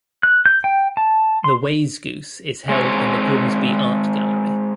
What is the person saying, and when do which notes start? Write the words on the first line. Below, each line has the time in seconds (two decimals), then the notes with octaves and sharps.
The wayzgoose is held in the Grimsby Art Gallery.
0.23 F#6
0.46 G6
0.64 G5
0.97 A5
1.44 C6
2.69 G#3 C4 C#5